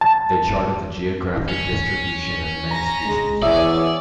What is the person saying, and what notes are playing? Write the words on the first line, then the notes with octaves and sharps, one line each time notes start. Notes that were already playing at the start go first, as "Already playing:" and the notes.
They charted the geographic distribution of many species.
A5
C#4
A#5 A#6
G#3
E2 C#5 D5 E5 G#5 D#6